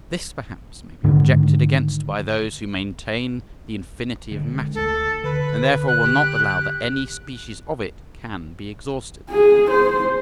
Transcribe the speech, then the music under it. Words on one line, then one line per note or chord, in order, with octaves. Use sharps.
This perhaps may be objected against by those who maintain the infinity of matter, and therefore will not allow that any species of it can be exhausted.
G#2 D3 D#3
D3 G#3
D2 A4
D3 B4
F#6
G4
G#4
C5